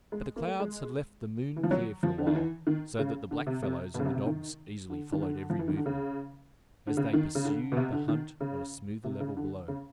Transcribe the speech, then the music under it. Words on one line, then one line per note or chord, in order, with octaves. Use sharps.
But the clouds had left the moon clear for a while, so that the Blackfellows and the dogs easily followed every movement, as they pursued the hunt on a smoother level below.
G#3
A#3
A3
G#3
E3
F3
F#3
F3
D3
D#3
E3
D#3
C#3
D3
C3
C3
B2
C#3
C3
C3
D#3
D3
D#3
D3
F3
E3
D#3
D3
C#3
D3
C#3
D#3
C#3
D3
B2
C3
D3
D#3
C#3
C3
C#3
D3
C#3